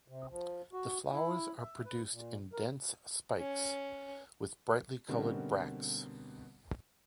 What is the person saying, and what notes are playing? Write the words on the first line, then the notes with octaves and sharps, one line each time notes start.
The flowers are produced in dense spikes, with brightly coloured bracts.
C3
F3
F#4
E4
E5
B4
A#2
A#4
C#4
B2 D3 G3 A#3 C4 C#4